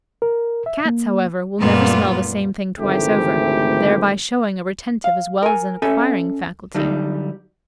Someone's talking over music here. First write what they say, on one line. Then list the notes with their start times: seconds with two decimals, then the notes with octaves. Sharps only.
Cats, however, will never smell the same thing twice over, thereby showing a retentive as well as an acquiring faculty.
0.22 A#4
0.66 E5
0.85 A#3
1.59 F#2 A#2 G3 A3 B3 F4
2.79 G#1 D2 C3 E3 A3 G4
5.04 F5
5.43 A#4 G#5
5.82 C#4 A4 E5 G#5
6.74 D3 F#3 G3 D#4